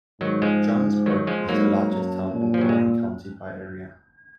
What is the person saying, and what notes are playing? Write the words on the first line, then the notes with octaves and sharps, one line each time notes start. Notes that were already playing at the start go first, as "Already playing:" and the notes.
Johnsburg is the largest town in Warren County by area.
G#2 D#3 F#3
F3 G#3
D#3 F#3
F3 G#3
G#2 F#3 A#3
F#2
A#2
F3
F#3
G#3